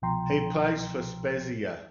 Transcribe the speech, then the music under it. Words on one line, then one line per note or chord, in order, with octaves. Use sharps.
He plays for Spezia.
C2 B2 F3 G5 A#5 C6